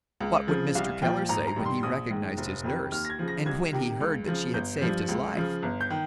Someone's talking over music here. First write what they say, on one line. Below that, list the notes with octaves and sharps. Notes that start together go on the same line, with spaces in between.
What would Mr. Keller say when he recognized his nurse, and when he heard that she had saved his life?
C#2
C#3 F3
C2 F5
A#2 F3 G5
G#1 A#5
A#5
G2 D#3
C6
A#1 D#6
G#2 D#3
F1
F2 C3 D#3
D#2 F6
A#6
G#6
C#3 F3
A#6
C2 G#6
C3 D#3
C#2
C#3 F3
G1 G6
G2 F3
C#2
C#3 F3
G1
G6
D#3